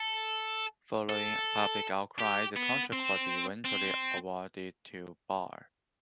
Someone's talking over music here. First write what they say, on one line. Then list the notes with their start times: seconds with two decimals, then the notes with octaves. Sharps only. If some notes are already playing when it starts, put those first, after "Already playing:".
Following public outcry the contract was eventually awarded to Barre.
Already playing: A4
1.10 A4
2.20 G4
2.56 B3
2.93 C4
3.65 C4